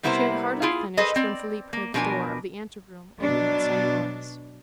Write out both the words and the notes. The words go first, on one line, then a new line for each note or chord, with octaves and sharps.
She had hardly finished when Philip heard the door of the ante-room open with some noise.
C3 G3 B3 E4 A#4 C5
E4 F4 G#4
G#4 A4 B4 C5 D#5
C4 D5
A#3
B2 F3 D4 A#4 G#5
B2 F#3 D4